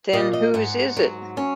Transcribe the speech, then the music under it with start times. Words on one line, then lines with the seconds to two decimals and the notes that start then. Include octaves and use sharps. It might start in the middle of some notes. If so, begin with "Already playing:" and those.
Then whose is it?
0.13 A#2 D#5
0.33 D#5
0.54 G#2 F#5
0.97 F#3
1.37 C#4